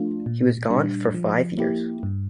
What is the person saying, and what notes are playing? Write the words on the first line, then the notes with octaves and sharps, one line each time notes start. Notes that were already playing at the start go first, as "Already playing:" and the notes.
He was gone for five years.
Already playing: F3 A3 D4 F4
A#2
G3 D4
F3
A#3 E4 G4
G2